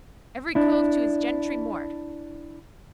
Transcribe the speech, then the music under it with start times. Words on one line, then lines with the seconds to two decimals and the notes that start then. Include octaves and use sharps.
Every cove to his gentry mort.
0.55 D4 E4